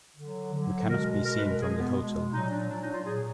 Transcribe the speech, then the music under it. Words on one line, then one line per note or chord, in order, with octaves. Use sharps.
We cannot be seen from the hotel.
D3 F#3
D3 F#3
B2 G#3 A#4
B2 G#3 A#4
B4
A#4
B2 G#3 G#4
B3
B2 G#3
A#2 F#3 D#4
D4
A#2 F#3 D4
D#4
F4
A#2 F#3 G#4